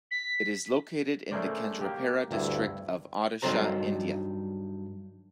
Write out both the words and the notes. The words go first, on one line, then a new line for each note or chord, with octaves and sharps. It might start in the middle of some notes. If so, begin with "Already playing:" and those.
It is located in the Kendrapara district of Odisha, India.
B6
A3 C#4 G#4 A#4 C5 D5
A#3 G4
D2 G2 E4
G2 D#3 F#3 A4 C5 A#5